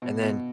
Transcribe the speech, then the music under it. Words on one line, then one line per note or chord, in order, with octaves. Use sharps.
and then
B2
B2